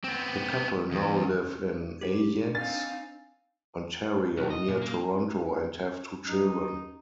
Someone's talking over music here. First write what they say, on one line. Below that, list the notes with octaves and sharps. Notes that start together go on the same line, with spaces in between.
The couple now live in Ajax, Ontario, near Toronto, and have two children.
B3 C4
E2
D4 G4
C4 D#4 F5 G#5 A6
B1
D#5
A#2
A#3
F#2 D#4